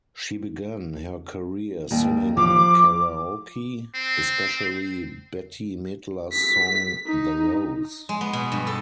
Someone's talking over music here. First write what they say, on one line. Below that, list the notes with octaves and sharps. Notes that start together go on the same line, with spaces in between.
She began her career singing karaoke, especially Bette Midler's song "The Rose".
D#2 G3
F3 D6
C4
B6
D#4
G#3
B3
B2
G2
A4